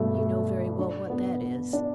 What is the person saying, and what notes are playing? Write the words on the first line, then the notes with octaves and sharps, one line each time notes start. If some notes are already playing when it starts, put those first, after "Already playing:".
You know very well what that is.
Already playing: G2 B2 A3
A3
D4
B3
B3
D4